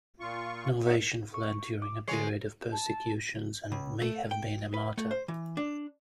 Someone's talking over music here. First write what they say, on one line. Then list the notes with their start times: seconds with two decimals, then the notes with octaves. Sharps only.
Novatian fled during a period of persecutions, and may have been a martyr.
0.20 A#2 F4 C#6
0.86 D#4 C#5 E5 F#5
1.34 C#6
1.82 D6
2.08 D3 G#3 C#5 G#5 C7
2.72 A5
3.72 C#2
4.02 A3
4.31 G5
4.74 B4
4.98 A3
5.11 C5
5.28 E3
5.57 D4